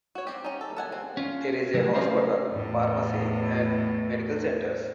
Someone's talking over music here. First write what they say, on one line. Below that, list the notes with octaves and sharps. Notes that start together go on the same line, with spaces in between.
There is a hospital, pharmacy, and medical centres.
F#4 C#5
C4 G4
C#4 D#4
A4
A4 F#5 G#5
C4
C#4 F4
C3 F#3 G#3 A3 E4
A3 C4 C#4 F4 A#4 C5
E2 A2